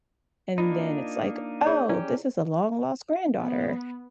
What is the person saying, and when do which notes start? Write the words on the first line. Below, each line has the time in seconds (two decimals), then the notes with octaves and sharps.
and then it's like, "Oh, this is a long lost granddaughter,"
0.58 A#3 D4 D#4 F4
1.65 G#4 C#5 D5
1.89 C#4 E4 G4
3.41 B3